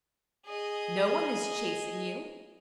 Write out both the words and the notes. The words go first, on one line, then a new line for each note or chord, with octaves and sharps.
No one is chasing you.
G#4 D#5